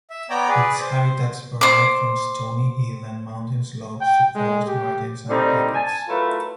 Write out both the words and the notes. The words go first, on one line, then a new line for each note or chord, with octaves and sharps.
Its habitats vary from stony hill and mountain slopes to forest margins and thickets.
E5
B3 C#5 D5 G5 A#5 D6
G#4 B4 D5
C5
C5 D6
G5
G#3
G4
D3 G3 A#3 C4 D4 D#4
G#5 A5
F#3 A3 E4 F4 A#4 B4